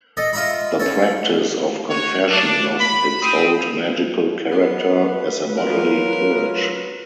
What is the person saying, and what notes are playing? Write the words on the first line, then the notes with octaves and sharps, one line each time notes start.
The practice of confession lost its old magical character as a bodily purge.
A4 D#5
F4 D#5 E5 A#5 B5
C#4 A4
F#4 C#5 C#6
D4
B5
C4 D#6
B3 B4
F#3 F4 A#4